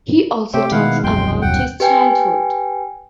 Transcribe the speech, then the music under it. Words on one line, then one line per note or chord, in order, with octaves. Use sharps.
He also talks about his childhood.
C3 A3 G4 C5 C#5 E5 G5
B2 D#3 G#3 E4 F5 F#5
E1 C2 F#2 G#3 G5 C6
D#2 F#5 G5
G4 B4 G5 G#5